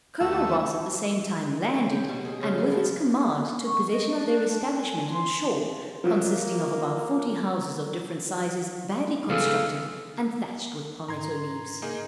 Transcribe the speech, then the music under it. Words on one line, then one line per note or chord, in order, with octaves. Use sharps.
Col. Ross at the same time landed, and with his command took possession of their establishment on shore, consisting of about forty houses of different sizes, badly constructed, and thatched with palmetto leaves.
D#2 A3 E6
C#5
G4
B2
G#4
C#3
B3
F3
C#6
D#5
D4
A5
G#5
C6
F3 F#3 A#3 F4
C#2 B3 F4 G#4 A4
G#2 A#5 C6 G#6
A#3 D#4 G#4